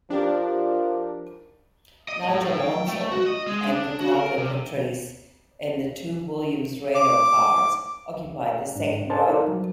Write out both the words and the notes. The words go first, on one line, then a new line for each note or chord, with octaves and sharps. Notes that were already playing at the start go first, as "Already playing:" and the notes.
Nigel Mansell and Riccardo Patrese, in the two Williams-Renault cars, occupied the second row.
F3 D4 G4 A#4
D#5
A2
A2
G5
A3
F#4
D#5
G#3
D4
F#4
A#4
C3
D6
G#2 D4
A#4 C5 D#5 G#5 A5
D#4 E4 A4 A#4 C5 D5
F#3